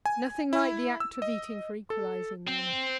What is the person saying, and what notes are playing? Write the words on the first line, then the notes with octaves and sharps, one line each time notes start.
'Nothing like the act of eating for equalising men.
G#5
E4
E6
D#5
A4
C4